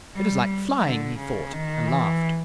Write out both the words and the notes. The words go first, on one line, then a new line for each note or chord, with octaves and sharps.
"It is like flying," he thought and laughed.
G3
D3
C#3
D#3
E3